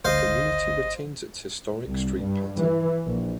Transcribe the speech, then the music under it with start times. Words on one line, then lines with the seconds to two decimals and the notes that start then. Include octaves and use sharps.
The community retains its historic street pattern.
0.05 G#1 D2 C5 D#5 F5
1.85 C2
2.18 G2
2.59 E3
3.06 A#1